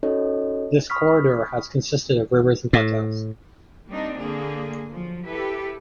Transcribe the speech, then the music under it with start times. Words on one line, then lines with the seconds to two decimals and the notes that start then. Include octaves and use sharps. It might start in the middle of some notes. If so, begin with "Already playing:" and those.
This corridor has consisted of rivers and plateaus.
0.03 C#4 D#4 F#4 A4 C#5 D#5
0.90 B5 C#6 D#6 F6 B6
2.73 A2
3.89 G3 A#3 C4 D4 D#4
4.18 D3 A#3 G#4
4.92 F3 F#3
5.27 E4 G4 A4 B4